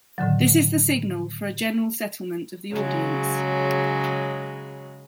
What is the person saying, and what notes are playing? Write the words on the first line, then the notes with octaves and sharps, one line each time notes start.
This is the signal for a general settlement of the audience.
A2 D3 D#3 F#3
C#3 F#3 G#3